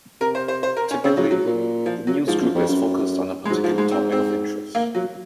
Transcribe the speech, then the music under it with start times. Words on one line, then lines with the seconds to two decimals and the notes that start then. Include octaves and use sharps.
Typically, the newsgroup is focused on a particular topic of interest.
0.21 C3 A#4
0.35 C5
0.48 C5
0.63 C5
0.77 A#4
0.91 C#4
1.04 C#3 C4
1.17 C#3 F#3
1.31 F#3
1.45 A#2
1.86 F3
2.07 F#3
2.27 G#2 F3
2.40 F#2
2.55 F2
2.69 F#2
3.45 G#3
3.50 G#2 F#3
3.64 F3
3.78 G#3
3.91 C4
4.12 C4
4.75 A#3
4.95 F#3